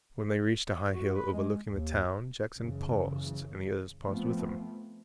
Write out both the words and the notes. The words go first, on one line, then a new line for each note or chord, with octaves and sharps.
When they reached a high hill overlooking the town Jackson paused and the others paused with him.
F#4
B4
G#3
D#2
F#1 C#3 E3
F3 A3 B3 C4